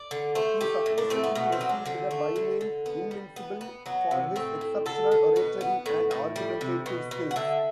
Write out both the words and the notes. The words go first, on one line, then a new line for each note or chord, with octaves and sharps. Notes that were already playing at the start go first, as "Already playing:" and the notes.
He supposedly received the byname "invincible" for his exceptional oratory and argumentative skills.
Already playing: D5
D3
A3 C5
A3 G4
A2
D4
A3 C4
B3
B2 B3
C4
F#3
D4
D3 C4
A3
D3
D3
B3
G3
B3
B3
F#3 B3
C3
A2 C4
A2
D3 A4
D3
B2 B4
B3
A2
A2
G3
C3
B2
B2
F#5
D3 E5